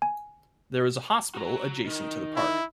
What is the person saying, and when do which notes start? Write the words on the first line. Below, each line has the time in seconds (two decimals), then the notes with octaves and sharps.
There is a hotel adjacent to the park.
0.02 G#5
1.35 F#4 A#5
1.86 D#3
2.36 E4